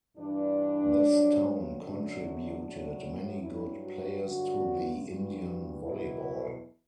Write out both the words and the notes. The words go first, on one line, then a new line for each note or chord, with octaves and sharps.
This town contributed many good players to the Indian volleyball.
G2 E3 D4
G2 F#3
F#2 D3 F#3 D4
A2 F#3
G2 F#3 E4
F#4
G2 D3 F#3 F#4
G2 E3 F#4
E2 B2 F#3 E4